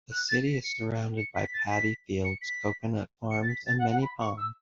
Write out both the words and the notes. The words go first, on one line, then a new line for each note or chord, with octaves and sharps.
The city is surrounded by paddy fields, coconut farms, and many ponds.
F#6
A6
B6
C#7
C#7
B6
B6
A6
B6
C#7
B6
C#7
A6
B6
A6
F#5
F#5
B5
C#6
E6